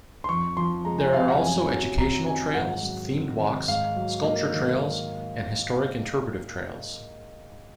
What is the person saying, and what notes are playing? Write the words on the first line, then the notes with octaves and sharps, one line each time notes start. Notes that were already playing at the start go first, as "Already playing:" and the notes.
There are also educational trails, themed walks, sculpture trails and historic interpretive trails.
C6
F2 C#6
F3 C6
G#3 A#5
G#5
C3 F5
F#5
F#2 G#5
F#3
C4 A#5
D#3 G#5
G#2 F#5
F#3
C4
D#3
G#2 F5
F#3
A#3 D#5
D#3